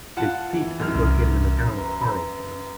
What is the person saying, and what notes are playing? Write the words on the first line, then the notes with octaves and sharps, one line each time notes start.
Its seat is located in the town of Karlsborg.
F4 F#5 A5
E3
F#2 E3 F6
C2
B4 A#5